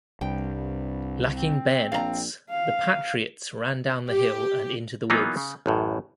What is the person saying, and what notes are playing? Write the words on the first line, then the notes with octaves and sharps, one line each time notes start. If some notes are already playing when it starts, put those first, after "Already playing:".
Lacking bayonets, the Patriots ran down the hill and into the woods.
C2 G2 G5
C4
A#1 C4 F5 A#5
F5
G4
E3 F#3 A#3 B3 D#4 F4
C#3
A1 F#2 A2